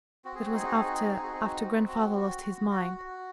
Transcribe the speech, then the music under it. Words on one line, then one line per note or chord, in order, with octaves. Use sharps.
That was after--after grandfather lost his mind.
C4 F#4
G#4
F#4
D#4 G#4
F#4
G#4
C4 F#4
G#4
D#4 F#4
G#4
F#4
C4 G#4
F#4
C4
F#4
F#4
F#4
F#4
F#4